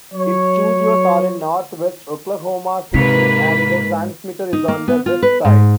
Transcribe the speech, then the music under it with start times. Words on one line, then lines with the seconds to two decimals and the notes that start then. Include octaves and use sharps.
Its studios are in Northwest Oklahoma City, and the transmitter is on the Westside.
0.13 F#3 C#5
2.94 G#2 C3 A#3 B4 C#5 B6
4.53 D#4
4.68 A#3
4.88 B3
5.06 F4
5.22 B4
5.45 G#2